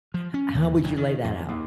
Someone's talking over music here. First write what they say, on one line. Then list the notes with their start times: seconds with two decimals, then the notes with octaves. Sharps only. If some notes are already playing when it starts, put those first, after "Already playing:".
H how would you lay that out?
0.14 F3
0.34 C#4
0.55 D#2
0.83 F1
0.97 D#3
1.24 F2
1.49 D#2